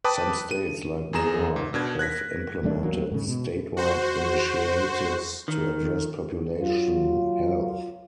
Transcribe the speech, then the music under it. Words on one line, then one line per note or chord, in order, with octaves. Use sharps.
Some states, like New York, have implemented statewide initiatives to address population health.
B4 G5 A5 B5 D6 D#6
D#7
E2 G#4 A#5 E7
G#2
B2 D4 G#6
F#6 G#6 A#6 B6
E1 G3 A3 D4
A1 E2 F#3 A#3
G#2 C#3
B2
F#4 C5
D#3
F#3 F4